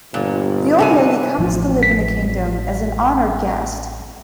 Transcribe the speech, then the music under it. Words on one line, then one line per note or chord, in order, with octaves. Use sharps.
The Old Lady comes to live in the Kingdom as an honoured guest.
G1 A#2
C3 E3 G#5
A1 F3
B6